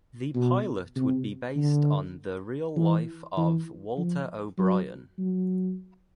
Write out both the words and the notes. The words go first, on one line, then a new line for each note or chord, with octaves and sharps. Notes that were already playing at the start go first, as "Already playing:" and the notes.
The pilot would be based on the real life of Walter O'Brien.
B2
C3
D3
E3
E3
F3
F#3
F#3